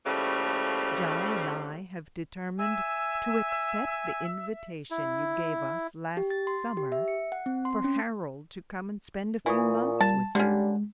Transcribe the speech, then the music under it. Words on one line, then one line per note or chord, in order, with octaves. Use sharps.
John and I have determined to accept the invitation you gave us last summer for Harold to come and spend a few months with you.
A2 C#3 F3 G3 A3 A#3
E5 G#5 E6
E4
G4
A6
C6
G4
E5
C#7
F#5
C4
C6
C#4
A#2 E3 G#5 C#6 D#6
G3 A5
D3 G3 G#3 C#4